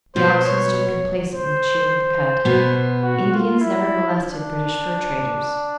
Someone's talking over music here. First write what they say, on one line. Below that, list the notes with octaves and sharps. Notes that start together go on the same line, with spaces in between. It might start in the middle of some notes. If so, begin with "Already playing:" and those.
The oxen stood complacently chewing the cud. Indians never molested British fur-traders.
B2 B3 C5
C#5
C5
B2 B3
F#4
F4
E4
D4